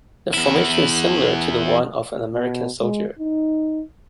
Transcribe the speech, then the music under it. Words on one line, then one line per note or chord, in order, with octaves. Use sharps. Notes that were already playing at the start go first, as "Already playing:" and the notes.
The formation is similar to the one of an American soldier.
E2 E4
B2
G#3
D#4